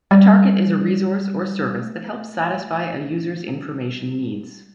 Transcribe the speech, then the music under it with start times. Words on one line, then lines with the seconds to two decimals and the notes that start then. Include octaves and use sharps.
A target is a resource or service that helps satisfy a user's information needs.
0.11 G3
1.78 A3
3.47 G3